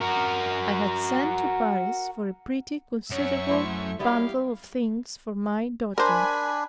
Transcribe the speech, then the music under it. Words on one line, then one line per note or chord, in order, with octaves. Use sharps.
I had sent to Paris for a pretty considerable bundle of things for my daughter.
F#4 A#4
F#2 C#5 E5 C#6
A3 E4 C5
F#3 G3 B3 D4 E4 G4 F5
D4 A#4 C5 G#5 B5